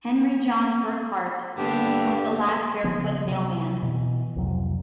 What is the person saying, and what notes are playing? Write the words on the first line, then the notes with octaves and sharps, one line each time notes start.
Henry John Burkhardt was the last barefoot mailmen.
G2 D3 A#3 B3 D4 G4
C#3 F3 B3
C3 F#3
B2 E3
C2 F2 C3 F#3